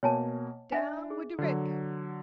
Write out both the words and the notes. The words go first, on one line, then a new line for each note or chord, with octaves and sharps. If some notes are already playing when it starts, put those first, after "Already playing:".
Down wid de redcoats!
B2 A#3 C#5 G#5 A5
D4 D#5 E5 G#5
G#4
D3 F#3